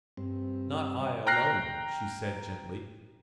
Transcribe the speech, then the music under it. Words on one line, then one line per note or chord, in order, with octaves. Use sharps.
"Not I alone," she said gently.
G2 C4
G5 A#5 F6 F#6 A#6 C7